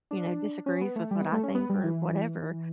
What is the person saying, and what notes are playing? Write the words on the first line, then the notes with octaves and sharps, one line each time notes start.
you know, disagrees with what I think or whatever,
D4
C#4
B3
A3
G3
B3
A3
C#4
B3
G3
E3